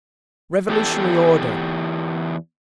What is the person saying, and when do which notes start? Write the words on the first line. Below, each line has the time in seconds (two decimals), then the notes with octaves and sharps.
Revolutionary order.
0.69 E2 G4 A4